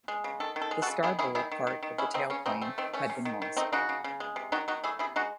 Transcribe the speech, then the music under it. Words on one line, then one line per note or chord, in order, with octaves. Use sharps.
The starboard part of the tailplane had been lost.
G#3
C#3
D#3 A4
D#3
A4
G#3
F#4 A4
C#3
D#3 E4 G#4
D#3 E4 G#4
D#3 E4 G#4
D#3
D#3
D#3
G#3 C#4 E4
C#3 C4 D#4
C#3 C#4
C#3 C4 D#4
A3 C4
D#3 C4
A3 C#4
C3
D#3
D#3
A3 C4 D#4
C#3 D#4 F#4
C#3
C#3
G#3
C3
D#3 D#4 F#4
D#3 D#4 F#4
A3 E4 G#4
C3 E4 G#4
G#3 D#4 F#4